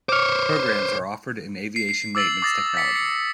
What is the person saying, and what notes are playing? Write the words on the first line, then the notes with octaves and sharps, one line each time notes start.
Programs are offered in Aviation maintenance technology.
C5 C#5 D6 F6
C7
C7
D6 E6 A6 F#7
D6 D#6 A6 A#6
B6 C#7
C#7